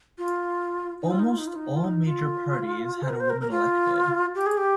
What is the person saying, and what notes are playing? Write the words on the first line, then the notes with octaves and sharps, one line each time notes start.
Almost all major parties had a woman elected.
F4
D#4
F4
D#4
F4
D#4
F4
D#4
F4
D#4
F4
C5
A#4
C5
A#4
A#4
F4
G4
G#4
G4